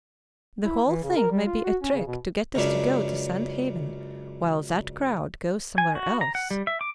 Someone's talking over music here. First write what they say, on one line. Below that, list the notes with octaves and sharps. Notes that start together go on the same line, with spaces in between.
"The whole thing may be a trick to get us to go to Sand Haven while that crowd goes somewhere else."
E4
E3
C#3
A#4
G3
F4
F#4
C#4
C#3
B2
C#2 F#2 C#3 D4 E5
G#5
F#4
A#5
F#5
G3
E5
D6